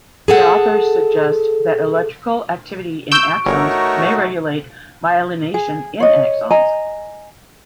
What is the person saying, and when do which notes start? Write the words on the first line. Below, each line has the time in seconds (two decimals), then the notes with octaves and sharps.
The authors suggest that electrical activity in axons may regulate myelination in axons.
0.28 G#4 A4 F#5
3.12 C#6 E6 G6 D7
3.46 G1 A3 D#4 F#4 A#4 C#5
5.54 G#4
6.00 C#5 D#5
6.51 D#5 G#5 A#5